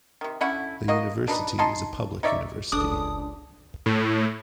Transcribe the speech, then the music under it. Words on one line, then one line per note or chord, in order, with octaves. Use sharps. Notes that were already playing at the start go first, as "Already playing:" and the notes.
The university is a public university.
C3 D#3
D3 C#4 E4 F#5
A#3 F#4 D#5
D4 D#4 B4
D#4 G#5 A5 C6
D#4 C#5 D5 E5
F#1 C#2 D4 D#6
A2